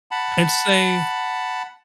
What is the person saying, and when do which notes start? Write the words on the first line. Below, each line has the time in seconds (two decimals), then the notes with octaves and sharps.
And say
0.11 F#5 A5 B5